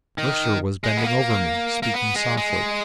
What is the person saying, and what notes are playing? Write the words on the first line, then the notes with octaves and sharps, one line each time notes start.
Mercer was bending over me; speaking softly.
D#3
G#3
B3
A#3
A#3
B3
G#3
G#3